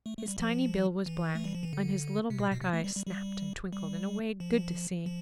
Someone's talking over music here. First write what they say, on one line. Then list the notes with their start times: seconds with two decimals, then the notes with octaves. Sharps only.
His tiny bill was black, and his little black eyes snapped and twinkled in a way good to see.
0.06 A3
0.18 A3
0.28 G3
0.40 F3
1.06 E3
1.35 A3
1.44 G3
1.55 F3
1.63 E3
1.73 D3
2.30 C3
2.39 B2
2.51 B2
2.61 C3
2.73 A3
2.84 G3
2.95 G3
3.06 G3
3.73 G3
4.40 F3
5.06 F3